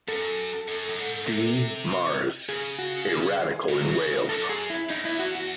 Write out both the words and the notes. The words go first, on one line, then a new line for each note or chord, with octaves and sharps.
D. Mares: A Radical in Wales.
F#2 A4
F#2
F#2
G#2
C3
C#3 G#4
F#4
G#4
C#3
C3
C#3
F#2 A4
G#4
E4
E2 D#4
E4
F#4
F#4